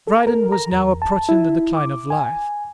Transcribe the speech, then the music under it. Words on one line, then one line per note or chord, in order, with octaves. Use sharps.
Dryden was now approaching the decline of life.
A4
A#4
A#5
E2
A5
E4
D6
G#5